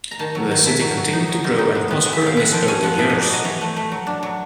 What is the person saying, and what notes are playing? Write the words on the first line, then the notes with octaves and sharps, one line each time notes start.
The city continued to grow and prosper in its early years.
A#5
D#3 A5
F#3
D#3
E4 A5
F#3
F#3
D#4
F#3
D#4
D#4
B3
B3
G#3
E5
D#3
F5
E4 F#5
F3 G5
C#4 G#5
F3 F#5
B3 E5
D#5
F#3
D5
F#3 D#5
E3 C#5
A3
A3
F#3
D4
F#3